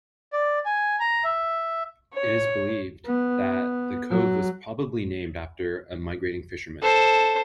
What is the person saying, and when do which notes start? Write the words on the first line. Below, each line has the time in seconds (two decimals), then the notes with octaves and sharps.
It is believed that the cove was probably named after a migrating fisherman.
0.33 D5
0.66 G#5
1.00 A#5
1.24 E5
2.14 C#5
3.05 B3
4.10 F#3
6.82 A4 C5